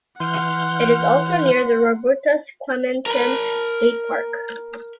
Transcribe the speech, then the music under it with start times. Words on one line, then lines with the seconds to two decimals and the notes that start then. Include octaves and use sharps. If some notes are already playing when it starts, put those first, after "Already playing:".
It is also near the Roberto Clemente State Park.
0.20 E3 F#5 C6 F6 G6
3.06 A#4 B5